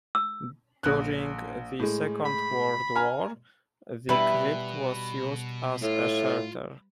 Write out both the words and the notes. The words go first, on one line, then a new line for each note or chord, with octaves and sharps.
During the Second World War, the crypt was used as a shelter.
E6
A#1 F#6
A2 G#3
B5
G#5 A#5 F6
B2 G3 E4 B4
A2 F4